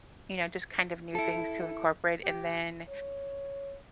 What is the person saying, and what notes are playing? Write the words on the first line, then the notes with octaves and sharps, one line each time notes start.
you know, just kind of new things to incorporate, and then
E4 A4
G4
C#5